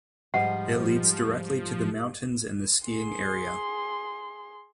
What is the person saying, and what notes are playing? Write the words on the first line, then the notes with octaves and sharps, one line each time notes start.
It leads directly to the mountains and the skiing area.
G#2 F3 G3 D#5 F#5
G#4 C6